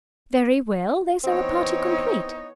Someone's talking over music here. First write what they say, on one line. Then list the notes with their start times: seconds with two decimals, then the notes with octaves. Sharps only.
Very well; there is our party complete!
1.24 E3 B3 C4 D#4 C#5